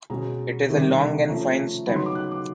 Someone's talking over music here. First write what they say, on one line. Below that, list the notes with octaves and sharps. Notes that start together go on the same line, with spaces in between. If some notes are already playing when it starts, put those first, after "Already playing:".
It is a long and fine stem.
B2 G#3 C#4 A#5
C3 D#3 G3
F3 A3 C#4 A#5
C#3 F#3 B3 D#4 B5
C6
D6
F#6
D6